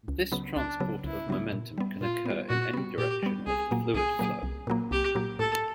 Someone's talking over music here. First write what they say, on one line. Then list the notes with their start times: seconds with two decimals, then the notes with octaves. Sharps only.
This transport of momentum can occur in any direction of the fluid flow.
0.08 C#2
0.32 C#3 F#3 B3
0.56 C#2 D4
0.80 C#3 F#3 B3
1.04 C#2 E4
1.29 C#3 F#3 B3
1.53 A#2
1.78 G3 B3
2.01 A#2 F4
2.26 G3 B3
2.49 A#2 F#4
2.74 G3 B3
2.98 A#2 G4
3.23 G3 B3
3.46 C2 G#4
3.71 A#2 F#3 A#3
3.94 C2 G#4
4.19 A#2 F#3 A#3
4.43 C2
4.67 A#2 F#3 A#3
4.91 C2 G4
5.15 A#2 F#3 A#3
5.39 A2 A4